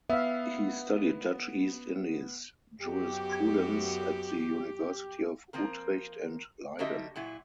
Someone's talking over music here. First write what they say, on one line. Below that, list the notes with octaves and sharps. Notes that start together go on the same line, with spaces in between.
He studied Dutch East Indies Jurisprudence at the University of Utrecht and Leiden.
B3 E5 F5
F#2 B3 F#4 G4
F3 A#3 C4 A#4
D3 A#3 F#4 G4 D#5 E5
A#2 F#3 E4